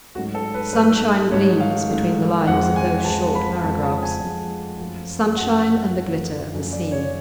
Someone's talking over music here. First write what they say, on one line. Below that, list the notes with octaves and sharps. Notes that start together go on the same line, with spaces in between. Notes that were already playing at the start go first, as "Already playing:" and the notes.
Sunshine gleams between the lines of those short paragraphs--sunshine and the glitter of the sea.
G#2 F#3 A3 F#4
A4
B4
G#2 F#3 A3 B4
G#2 F#3 A3 C#5
F5
G#2 F#3 A3
F2 F3 G#3 F#5
G#5
F2 F3 G#3 A5
B5
F2 F3 G#3 A5
A5
G#5
F2 F3 G#3
F#2 F3 A3
F#2 F3 A3 F#5
F#2 F3 A3
F#2 F3 A3
D5
C#5